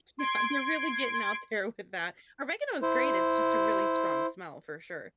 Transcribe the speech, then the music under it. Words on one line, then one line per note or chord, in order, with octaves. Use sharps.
Yeah, you're really getting out there with that, oregano is great, it's just a really strong smell for sure.
C6 G#6 D7
E4 C5